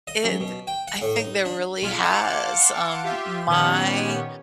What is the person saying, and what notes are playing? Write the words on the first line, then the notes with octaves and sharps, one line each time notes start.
It th I think there really has, um, my
D#5
F#2
B2
G5
F#5
A2
D#4
D4
B1 G#3 F4 B5 F6
F5 F#5 A5 C6 D6 C#7
F4 G4 E5
A#2 D#3 B3 C#4 G4 C#5